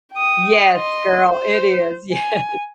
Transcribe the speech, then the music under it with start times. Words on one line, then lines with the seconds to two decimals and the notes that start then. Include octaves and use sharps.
Yes, girl, it is, yes.
0.13 G5 D#6
0.73 D#5 C6
1.29 C5
2.12 G#5